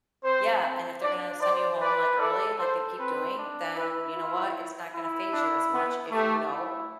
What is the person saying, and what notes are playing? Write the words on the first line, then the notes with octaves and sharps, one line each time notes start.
Yeah, and if they're gonna send you home, like, early, like they keep doing, then, you know what? It's not gonna phase you as much if you know,
C4 C5
C4
D4 D5
C5 D5
B4 D5
A4 D5
A4 C5
C4 B4
D4
E4 B4
F4
E4
D4
B3
A3 G4
E4